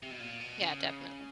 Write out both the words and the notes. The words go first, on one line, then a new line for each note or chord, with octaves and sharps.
Yeah, definitely.
C3
B2
A#2
B2
C#3